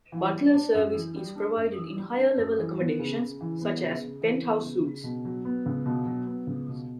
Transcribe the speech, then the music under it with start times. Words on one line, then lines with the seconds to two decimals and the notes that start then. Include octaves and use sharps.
Butler service is provided in higher-level accommodations such as Penthouse Suites.
0.12 E3
0.33 G3
0.54 D4
0.74 F#2
0.95 E3
1.16 G3
1.36 D4
1.56 F#2
1.77 E3
1.97 G3
2.17 D4
2.37 F#2
2.59 E3
2.79 B3
2.99 C#3
3.20 C#3
3.41 E3
3.61 B3
3.82 C#3
4.02 C#3
4.22 E3
4.42 B3
4.62 C#3
4.83 C#3
5.04 B2
5.25 F#3
5.45 B3
5.66 C#2
5.86 B2
6.06 F#3
6.26 B3
6.47 C#2
6.68 B2